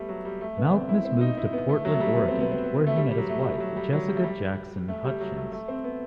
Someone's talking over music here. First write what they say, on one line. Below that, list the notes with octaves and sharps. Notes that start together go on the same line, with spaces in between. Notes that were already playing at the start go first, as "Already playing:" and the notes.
Malkmus moved to Portland, Oregon, where he met his wife, Jessica Jackson Hutchins.
Already playing: G3 A3 B3
F#3
G3
A3
B3
C4
E4
C4
D#4
E4
B3
A3
F#3
A3
G3
B3
C4
B3
C4
B3
A3
G3
G3
F#3
A3
G3
F#3
G3
F#3
G3
A3
G3
A3
G3
F#3
A3
A3
C4
B3